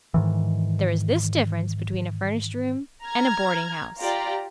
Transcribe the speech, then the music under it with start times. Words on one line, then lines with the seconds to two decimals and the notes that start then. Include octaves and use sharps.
There is this difference between a furnished room and a boardinghouse.
0.14 G#2 D#3 E3
3.04 A#5 F6 G#6
3.98 F4 G4 D5 A#5